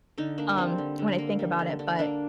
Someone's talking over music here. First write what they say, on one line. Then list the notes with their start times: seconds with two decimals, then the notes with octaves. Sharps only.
funny, um, when I think about it. But,
0.18 D3 D#4
0.38 A#3 D4
0.57 G3 C4
0.78 D3
0.99 D3
1.18 A#3
1.39 G3
1.59 D3
1.79 D3
1.99 A#3 D4